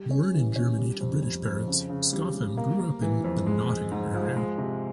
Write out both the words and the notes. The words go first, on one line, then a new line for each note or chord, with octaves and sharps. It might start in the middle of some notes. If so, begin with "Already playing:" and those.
Born in Germany to British parents, Scoffham grew up in the Nottingham area.
Already playing: G3
C#4
E3
C#4
G3
F2
F2
F2
C#3
C#3
G3
G3
A#3
A#3
E3
F2
G#3
G#3
G#2
F3
G#3
C3